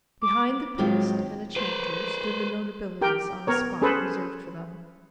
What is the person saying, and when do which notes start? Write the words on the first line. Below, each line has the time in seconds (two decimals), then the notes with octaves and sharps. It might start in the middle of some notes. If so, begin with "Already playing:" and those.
Behind the priest and a chanter stood the notabilities on a spot reserved for them.
0.22 D6
0.78 A2 D#3 F#3 G#3 C4 F4
1.56 B4 C5
3.01 G4 A#4 G5
3.47 B3 A#4 C#5
3.82 C#4 G#4 A4 B4 C5